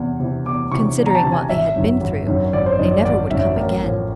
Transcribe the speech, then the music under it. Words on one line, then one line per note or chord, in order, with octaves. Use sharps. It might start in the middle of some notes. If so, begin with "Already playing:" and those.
Considering what they had been through, they never would come again.
Already playing: E2 C3 E3
C3 E3
E2 D6
C3 E3 C#6
E2
A#5
A5
C3 E3
G#5
G#1 E5
F#2 D#3 F#3
G#1
F#2 D#3 F#3
C#5
G#1 D5
C5
F#2 D#3 F#3 D#5
D5
G#1 D5
F#2 D#3 F#3 E5
A1 A#4
A2 F3